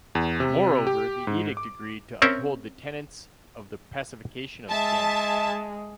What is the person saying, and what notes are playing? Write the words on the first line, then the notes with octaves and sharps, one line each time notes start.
Moreover, the edict agreed to uphold the tenets of the Pacification of Ghent.
E2
C3
G4
G#2
D6
C4 C#4 A#4 E5
G#3 E5 A5